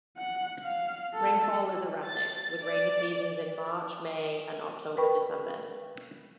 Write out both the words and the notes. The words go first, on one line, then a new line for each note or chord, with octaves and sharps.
Rainfall is erratic, with rainy seasons in March-May and October-December.
F#5
F5
A4
A6
D5
A#4 B4 G5 B5 C#6